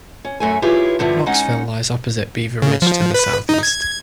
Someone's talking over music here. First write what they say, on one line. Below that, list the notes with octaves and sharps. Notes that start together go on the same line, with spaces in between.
Knoxville lies opposite Beaver Ridge to the southeast.
C#4
F#2 A3 G#5
E4 F4 G4 G#4 B4 C#5
G2 D3 F3 E4
G#3 C#4 D#4 F#5
C#3
F3
B4
D#4
G#6